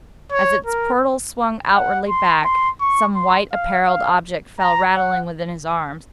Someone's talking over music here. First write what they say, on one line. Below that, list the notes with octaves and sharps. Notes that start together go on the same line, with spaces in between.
As its portals swung outwardly back, some white-apparelled object fell rattling within his arms.
C#5
A#4
F#5
C6
C6
C#6
C6
F5
F5
A#5
F#5